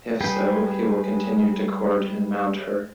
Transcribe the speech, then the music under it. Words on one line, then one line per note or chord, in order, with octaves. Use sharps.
If so, he will continue to court and mount her.
G3 G#4 B4 G5